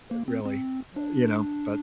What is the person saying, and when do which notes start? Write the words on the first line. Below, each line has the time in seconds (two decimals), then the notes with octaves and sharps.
really, uh, you know, but
0.11 A#3
0.28 C4
0.46 C4
0.96 D4